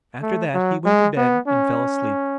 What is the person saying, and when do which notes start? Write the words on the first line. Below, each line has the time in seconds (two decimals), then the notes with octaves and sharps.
After that he went to bed and fell asleep.
0.22 A3
0.54 F#3
0.85 G#3
1.16 B3
1.48 C#4